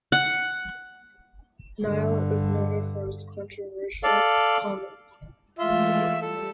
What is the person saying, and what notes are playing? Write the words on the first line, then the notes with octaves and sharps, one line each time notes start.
Nile is noted for his controversial comments.
F#5
G2 D3
A4 D5 F5
E3 G#3 A3 F4 E5
G3 A4